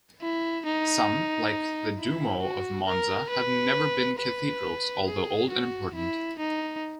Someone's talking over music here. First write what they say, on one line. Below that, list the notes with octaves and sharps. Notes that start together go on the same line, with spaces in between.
Some, like the Duomo of Monza, have never been cathedrals, although old and important.
E4
D#4
E4
F#4
A#4
B4
B4
G#4
F#4
E4
D#4